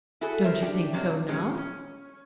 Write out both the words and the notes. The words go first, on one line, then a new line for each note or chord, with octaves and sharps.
"Don't you think so, now?"
E4 F#4 G#4 A4
A#4 C5 E5
D4 G4
F#2 C3 F#3 A#3
A#2 G#3 C#4 G4
C#4